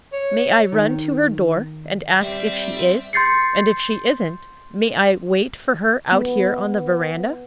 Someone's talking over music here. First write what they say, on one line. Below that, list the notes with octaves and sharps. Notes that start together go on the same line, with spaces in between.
"May I run to her door and ask if she is?--and if she isn't, may I wait for her out here on the veranda?"
C#5
D#3
G3 C4 E5
C6 G6 A6 C7 C#7
B3